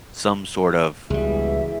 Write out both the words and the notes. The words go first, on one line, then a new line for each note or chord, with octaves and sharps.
some sort of
C#2 G2 B2 E3 G3 G#4 E5